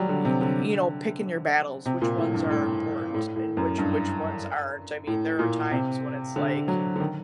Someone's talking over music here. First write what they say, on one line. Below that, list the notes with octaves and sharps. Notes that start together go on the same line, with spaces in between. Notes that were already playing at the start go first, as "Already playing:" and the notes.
y y you know, picking your battles, which ones are important and which which ones aren't, I mean, there are times when it's like
Already playing: D#3 F#3 G3
D3
C3
D3
C3
A#2
A2
G2
A2
A2
A2
F#2
G2
A2
A#2
C3
D3
F#3
D3
D#3